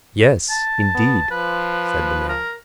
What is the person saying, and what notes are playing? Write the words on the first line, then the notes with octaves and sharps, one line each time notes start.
"Yes, indeed," said the man.
A5
B3
F3 B4
A#4